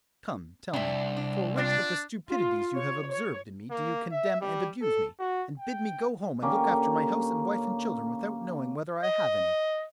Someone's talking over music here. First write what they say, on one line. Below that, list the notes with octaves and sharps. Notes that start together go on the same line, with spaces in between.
Come, tell me, for which of the stupidities you have observed in me do you condemn and abuse me, and bid me go home and look after my house and wife and children, without knowing whether I have any?
C2 D4 E5
D4
C4 D4 F4 D5
F4
C#5
C#5
A#3
E5
G3
A4
F#4
G5
D3 A#3 C#4 G4
D#5